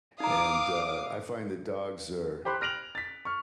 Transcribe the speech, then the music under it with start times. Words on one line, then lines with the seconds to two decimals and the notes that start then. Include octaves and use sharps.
and, uh, I find that dogs are
0.20 D#4 F5 A#5 D6 D#6
2.45 G4 C5 B5 C6 F#6
2.61 F6 A#6 D7 F7 F#7
2.95 A6 B6
3.25 C#6 F6